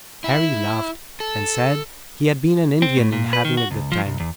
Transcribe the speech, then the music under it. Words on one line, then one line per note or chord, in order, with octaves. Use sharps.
Harry laughed and said he had been an Indian in having a good time.
E4
A4
C4
A2
A#2
B4
D#3
F#4
C#2
F3
C2
E2